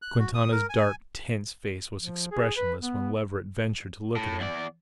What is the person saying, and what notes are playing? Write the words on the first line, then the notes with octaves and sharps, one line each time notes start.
Quintana's dark, tense face was expressionless when Leverett ventured to look at him.
F#6
F#4
D#6
A#4
G#5
F3
G#4
B4
B3
A2
E2 D5